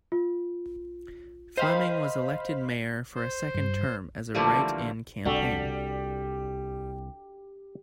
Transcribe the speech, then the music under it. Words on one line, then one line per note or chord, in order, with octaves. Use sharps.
Fleming was elected mayor for a second term as a write-in campaign.
F4
C5 D#5 F5 G5 B5
C5
G2
D3 E3 F3 G3 A3 A#3
C2 G3 D4 F#4 A4